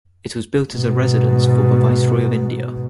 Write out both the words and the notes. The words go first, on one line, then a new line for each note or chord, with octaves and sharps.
It was built as a residence for the Viceroy of India.
G#2 B2